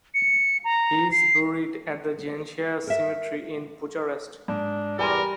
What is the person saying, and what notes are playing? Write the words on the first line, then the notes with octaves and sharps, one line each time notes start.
He is buried at the Ghencea cemetery, in Bucharest.
C#7
A#5
C7
A#4 E5
G#2 D4
E2 G3 A#4 D5 G#5 C6